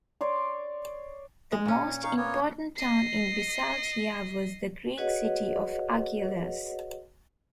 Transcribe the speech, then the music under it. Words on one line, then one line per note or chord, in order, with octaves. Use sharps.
The most important town in Bisaltia was the Greek city of Argilus.
C#5 D5 C6 D6
G#3
A#2 C#4
D#4 F5 C#6
A#3 B3 C#5
D#5 C7
F#4 G#4 B4 C#5 D#5 F#5